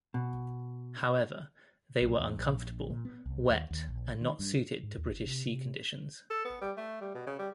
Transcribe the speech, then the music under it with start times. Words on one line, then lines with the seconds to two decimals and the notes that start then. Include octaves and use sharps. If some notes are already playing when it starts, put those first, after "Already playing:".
However, they were uncomfortable, wet and not suited to British sea conditions.
0.14 B2
2.02 B1
2.19 E2
2.38 A#1
2.90 A#2
3.05 B3
3.26 C2
3.50 D#2
3.71 D#2
3.89 A#1
4.21 D#3
4.39 G2
4.83 G#2
4.97 D#2
5.10 G1
5.26 C3
5.48 C3
6.30 A4
6.45 B3
6.61 G3
6.77 A3
7.01 G3
7.14 B2
7.27 C#3
7.39 G3